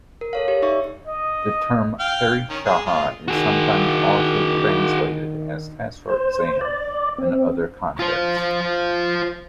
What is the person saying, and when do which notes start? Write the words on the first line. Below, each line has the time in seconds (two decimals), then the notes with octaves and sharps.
The term "pariksaha" is sometimes also translated as test or exam, in other contexts.
0.21 A#4
0.33 A4 C#5 F5
0.48 G4 C#5
0.62 D#4 D5 E5 C#6
1.07 D#5
1.99 F5 G5 F6
2.49 D#3 C#4
2.65 G#3 G#4
2.86 G#3 F4
3.28 D#3 F#4 G#4
6.09 C5
6.61 D5
7.18 C4
7.99 F4 C5